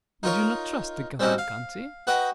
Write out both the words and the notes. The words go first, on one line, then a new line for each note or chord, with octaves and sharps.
"Would you not trust the Cavalcanti?"
D#4 F4 A#4 C#5
G3 C4 C#4 D#4 F#4
F5
F#4 B4 D#5 F#5 G5